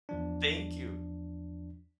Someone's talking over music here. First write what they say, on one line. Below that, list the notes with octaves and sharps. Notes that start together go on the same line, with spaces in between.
Thank you.
E2 F3 D4